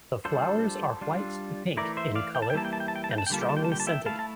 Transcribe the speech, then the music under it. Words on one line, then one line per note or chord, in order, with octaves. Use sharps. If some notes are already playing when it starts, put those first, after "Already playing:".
The flowers are white to pink in colour, and strongly scented.
G3 D4 F4 A4 C5
G3 D4 F4
E3 A3 E4 A#4 D5
C5 E5
D5 F5
G5
A5
G5
E3 G3 A#3 E4 A5
G5
A5
G5
A5
G5
A5
G5
A5
G5
D3 G3 A#3 F4 A5
G5
A5
G5
A5
G5
A5
E5 G5
A3 E4 F5 A5
A5